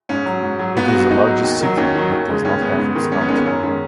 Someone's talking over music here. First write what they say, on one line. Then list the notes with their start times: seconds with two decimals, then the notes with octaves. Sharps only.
It is the largest city that does not have its county.
0.09 G#2 C#4
0.26 F#3
0.43 G#2
0.59 F#3
0.76 G#2 B3
0.88 F#4
0.93 F#3
0.99 F#4
1.10 G#2 D#4
1.27 F#3
1.44 D#2
1.61 D#3 F#3
1.77 D#2 C#4
1.95 D#3 F#3
2.11 D#2
2.28 C#3 G#3
2.45 D#2 C#4
2.61 C#3 G#3 B3
2.78 G#2
2.95 D#3 G#3
3.12 G#2 C#4
3.21 B3
3.29 D#3 G#3 C#4
3.38 B3
3.46 F#2 C#4
3.63 D#3 G#3 C#4